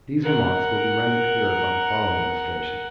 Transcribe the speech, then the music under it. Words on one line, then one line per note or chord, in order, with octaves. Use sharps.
These remarks will be rendered clearer by the following illustrations.
A#4 F#5